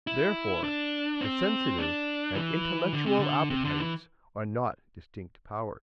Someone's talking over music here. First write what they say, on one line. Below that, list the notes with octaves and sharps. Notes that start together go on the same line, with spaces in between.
Therefore the sensitive and intellectual appetites are not distinct powers.
E4
D4
C4
D4
E3
D3
C3
D3
C3
D3
E3